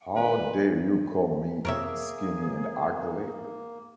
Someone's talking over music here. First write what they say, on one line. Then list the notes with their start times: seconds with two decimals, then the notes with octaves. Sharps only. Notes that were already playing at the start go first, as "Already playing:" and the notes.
How dare you call me skinny and ugly?
0.16 G#1 B4
1.65 F2 C3 A#3 G#4 A#4 C#5 E5